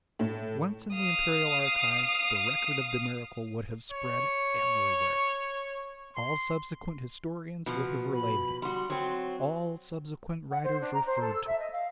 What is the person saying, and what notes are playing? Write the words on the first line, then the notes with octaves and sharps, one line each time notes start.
Once in the imperial archives, the record of the miracle would have spread everywhere; all subsequent historians would have related it, all subsequent writers referred to it.
A2
F5 D#6
C#5
C6
B2 F3
B5
G3 F#4 C6
F#3 C4
F#5
C5
D4
A#5
C5
A4
E6
E5
D#5
F5